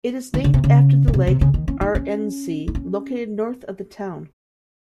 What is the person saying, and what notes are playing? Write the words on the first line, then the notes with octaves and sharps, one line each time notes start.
It is named after the lake Arendsee, located north of the town.
D#3
C#3
C3
C#3
C#3
C3
C3
C#3
D#3
C#4
D#4
C#4
D#4
C#4